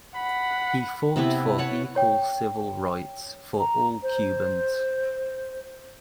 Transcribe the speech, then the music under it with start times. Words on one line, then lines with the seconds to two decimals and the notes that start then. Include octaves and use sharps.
He fought for equal civil rights for all Cubans.
0.16 F#5 B5
1.16 C3 B3 E4 B4
1.58 B4 C#5 F#5 A5
1.96 C#5 G5
3.59 A#5
4.02 C5